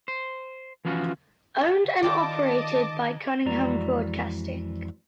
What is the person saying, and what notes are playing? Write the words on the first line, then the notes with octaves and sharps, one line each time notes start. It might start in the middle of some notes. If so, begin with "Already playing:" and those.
Owned and operated by Cunningham Broadcasting.
C5
E3 F3 C#4 F4 F#4
D#3 F4 G4 D5 D#5 A5 D6
F2 E3 G#3 F#4 D5 A#5